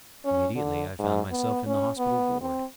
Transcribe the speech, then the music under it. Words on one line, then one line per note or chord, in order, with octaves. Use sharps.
Immediately I found myself in the hospital ward.
C#4
D3
G#2
B3
C#4
B3
C4